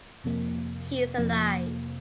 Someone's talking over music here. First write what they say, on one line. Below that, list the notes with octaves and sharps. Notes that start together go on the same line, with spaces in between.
He is alive.
F2 C3 F3 A#3
F2 C3 F3 A#3